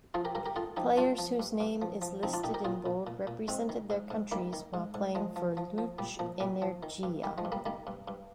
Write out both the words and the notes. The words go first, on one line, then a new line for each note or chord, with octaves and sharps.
Players whose name is listed in bold represented their countries while playing for Luch-Energiya.
F3 F4 G#4
G4 A#4
G2 G4 A#4
G4 A#4
D3 F4 G#4
F3 D#4 G4
G2 D4 F4
F3
G2
G2
F3
F3
F3 C4 D#4
D4 F4
A#2 D#4 G4
G4 A#4
A#2 F4 G#4
A#2
A#2
A#2
G#2 G#3 C4
D#3
G#2
G#2
D#3 G3 A#3
D#3
G#2
G#2
F3 G#3
F3
F3
F3
A#2 G3
A#2 F3
A#2 G3
F3
D#3
G2
D#3 G3
F3 G#3
G2
G3 A#3
D#3 G3 A#3
G2
G2